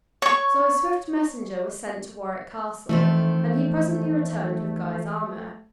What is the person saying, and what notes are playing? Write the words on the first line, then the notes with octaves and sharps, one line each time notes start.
So a swift messenger was sent to Warwick Castle, and he presently returned with Guy's armor.
C#5 C#6
F2 D#3 E3 A3 C5